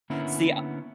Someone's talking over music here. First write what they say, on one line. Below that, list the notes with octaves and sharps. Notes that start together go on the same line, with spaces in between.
See, uh
D3 A#3 B3 C#4 E4